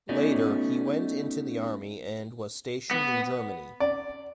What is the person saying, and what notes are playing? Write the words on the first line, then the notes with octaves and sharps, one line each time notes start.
Later, he went into the army and was stationed in Germany.
A3 B3 C#4 D#4 F#4 D5
B3
D5